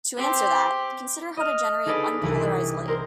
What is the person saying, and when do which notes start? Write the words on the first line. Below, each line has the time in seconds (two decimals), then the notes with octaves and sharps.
To answer that, consider how to generate unpolarized light.
0.17 C4 G4
1.37 D#5 F6
1.86 D4 D#4 G#4 A4 B4 D5
2.21 C2 E3 D4
2.88 A#4 C5